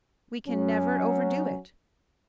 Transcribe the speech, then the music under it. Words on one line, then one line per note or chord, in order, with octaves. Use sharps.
We can never overdo it.
F#3 C#4